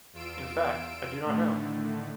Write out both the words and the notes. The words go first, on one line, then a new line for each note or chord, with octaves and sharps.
In fact ,I do not know.
E2 F4 E6 D7
A2 D3 D#3 A3